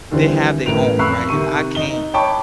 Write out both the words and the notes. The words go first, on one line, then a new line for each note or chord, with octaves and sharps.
they have their own, right? And I can't
D#2 D3 E3 G3 C4
A1 A2 A#4 B4 D7 F7
F2 B5 C#6 E6 F#6 C7
C3 D#3 C#6 D#7
D#4 D#5 G7
C#5 G5 A5 B5 C#6 D6